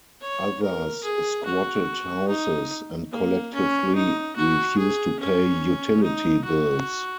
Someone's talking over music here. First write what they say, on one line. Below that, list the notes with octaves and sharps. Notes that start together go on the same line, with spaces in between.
Others squatted houses and collectively refused to pay utility bills.
C#5
A#4
G#4
F#4
D#4
A#3
C#4
D#4
F#4
G#4
C#4
D#4
F#4